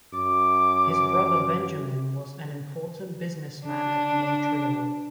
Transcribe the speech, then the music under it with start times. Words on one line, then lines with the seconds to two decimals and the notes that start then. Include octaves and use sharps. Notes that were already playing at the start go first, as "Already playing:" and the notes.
His brother Benjamin was an important businessman at Montreal.
0.14 F#2 D6
3.66 D4